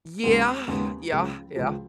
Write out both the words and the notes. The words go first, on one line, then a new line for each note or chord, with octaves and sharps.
Yeah. Yeah. Yeah.
D#2 C#3 G#3 B3
D#2 C#3 G#3 B3
C#2 C#3 F3
C#2 C#3 F3